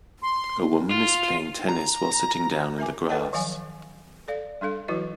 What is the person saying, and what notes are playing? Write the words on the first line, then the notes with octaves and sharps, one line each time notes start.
A woman is playing tennis while sitting down in the grass.
C6
F4
A#5
A#4 E5 G#5 D6
A4 B4 C#5 D#5 F#5 A5
D#3 F3 F#3 C#5 F5 G#5
A4 D5 F5
G3 D4 A4 F5
E3 F#3 E4 F#4 B4 D#5